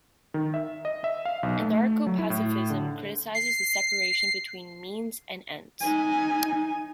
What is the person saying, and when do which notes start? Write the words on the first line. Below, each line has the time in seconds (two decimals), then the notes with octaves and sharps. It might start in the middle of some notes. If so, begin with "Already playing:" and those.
Anarcho-pacifism criticizes the separation between means and ends.
0.34 D#3
0.54 E5
0.85 D#5
1.04 E5
1.25 F5
1.43 B1
1.60 A3
2.06 F#3
2.19 E4
2.30 A2
2.70 D3
3.35 C7
5.81 D#4 G#5